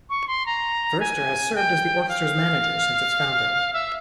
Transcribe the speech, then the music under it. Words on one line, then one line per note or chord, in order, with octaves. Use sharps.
Verster has served as the orchestra's manager since its founding.
C#6
C6
A#5
G#5
G5
F5
E5